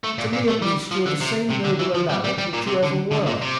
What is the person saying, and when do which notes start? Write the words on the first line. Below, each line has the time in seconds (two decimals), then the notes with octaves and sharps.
To me at least you are the same noble Alaric that you ever were.'
0.04 A3
0.18 A#2
0.33 A#2
0.48 A3
0.62 G3
0.92 F3
1.06 D3
1.21 C3
1.51 C3
1.65 D3
1.80 E3
1.95 F3
2.10 G3
2.24 G3
2.38 G3
2.54 A#2
2.67 C3
2.83 D3
3.12 D3
3.27 A#2
3.41 C3